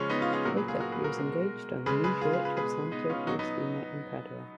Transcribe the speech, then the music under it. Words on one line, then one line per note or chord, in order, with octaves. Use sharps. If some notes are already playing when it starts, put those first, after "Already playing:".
Later, he was engaged on the new church of Santa Giustina in Padua.
Already playing: C#3 F3 G#3 C#4
B3 D#4
C#4 F4
F4 G#4
A#2 F#3 F#4 A#4
G#4 B4
F4 G#4
F#4 A#4
G#4 B4
F#4 A#4
B2 G#3
C#3 G#3 G#4 B4
G#4 B4
F4 G#4
F4 G#4
G#4 B4
B2 G#3 G#4 B4
B3 D#4
C#4 F4
B2 F#3 D#4 F#4
B3 D#4